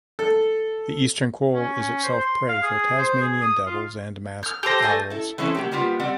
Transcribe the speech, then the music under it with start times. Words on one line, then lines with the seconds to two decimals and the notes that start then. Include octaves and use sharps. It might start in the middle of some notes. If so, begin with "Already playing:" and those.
The eastern quoll is itself prey for Tasmanian devils and masked owls.
0.19 A4
1.54 C#4
1.75 C#4
2.03 C5
2.19 C6
2.49 F5
2.63 G#4
2.98 C5
3.21 G#4
3.42 D#6
3.66 F4
4.43 F6 G6
4.63 G4 A4 C5 G6 A#6
4.82 A3 G#5 A5
5.10 E4 A4
5.38 E3 G#3 C4 C#4 E4 A4
5.55 F#3 A#3 G4
5.71 G3 A#3 B3 F4 G4
6.00 G3 C4 D5 F#5